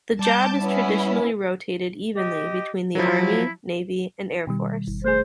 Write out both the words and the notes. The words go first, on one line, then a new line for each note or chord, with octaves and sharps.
The job is traditionally rotated evenly between the army, navy and air force.
G3 A5 D6 G6
B3 C#4 E4
G4 D#5
F3 F#3 E4
B2 D#3 G3
G1
A3 G#4 C5